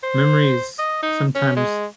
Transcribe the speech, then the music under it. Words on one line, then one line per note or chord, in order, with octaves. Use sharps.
memories, sometimes
C5
D#5
D#4
C#4
G#3